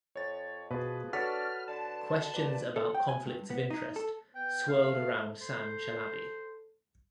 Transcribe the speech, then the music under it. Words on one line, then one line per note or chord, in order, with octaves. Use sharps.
Questions about conflicts of interest swirled around Sam Chalabi.
F2 C#5 A6
B2 F3 G#4 B4
D4 F#4 A4 B4 C#5 F6 A6 B6
D3 A5
A#2 B4 D5
A4
G5
G#5
G2
B3
D#4
A4
B3 G5
A3 F5
A4 C5